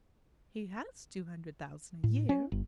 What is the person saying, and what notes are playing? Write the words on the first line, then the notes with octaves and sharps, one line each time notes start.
He has two hundred thousand a year.
A2
C#4
G1